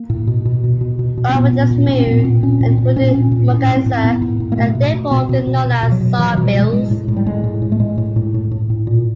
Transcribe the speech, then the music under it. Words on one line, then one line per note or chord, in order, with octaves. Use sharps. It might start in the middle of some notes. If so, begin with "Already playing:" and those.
Along with the smew and hooded merganser, they are therefore often known as "sawbills".
Already playing: A#3
A2
B2
B2
B2
B2
B2
B2
C4
A#2 B3
A#2
A#2
A#2 C#4
C4
A#2 B3
A#2 C4
A#2 C#4
A#2
C4
A#2
A#2 C#4
C4
A#2 C#4
A#2
A2 C#4
A2
C4
A2
A2 B3
A2
A2
A#3
B2 A3
B2
B2
B2 C4
B2
B2
B2
B2
F#3
B2
B2 E3
F#3
B2
G3
B2 G#3
A2 G#3
A2
A2
G3
A2 G#3
A2
A2
A3
A2 G#3
A2
A2
A2
A2
A2
A#2